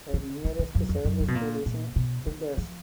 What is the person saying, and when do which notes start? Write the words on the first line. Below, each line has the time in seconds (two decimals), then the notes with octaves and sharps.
The nearest secondary school is in Childers.
0.14 D3
0.45 D#3
0.59 D#3
0.75 F#2
0.89 F2
1.05 F#2
1.20 D3
1.28 B2
1.35 A#2
1.66 A#2
1.96 B2
2.26 D#3
2.57 F3